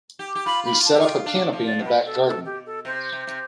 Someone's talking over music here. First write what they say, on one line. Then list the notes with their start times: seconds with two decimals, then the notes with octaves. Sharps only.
We set up a canopy in the back garden.
0.19 G4
0.35 G4
0.46 F4 B5
0.65 B5
0.72 F4
0.86 A5
0.95 G4
1.00 F4
1.05 G5
1.25 D4 F5
1.53 F3
1.66 D5
1.79 B2
1.85 B4
2.05 A4
2.26 A4
2.45 G4
2.66 A4
2.85 C3 C5
3.12 C3
3.27 C3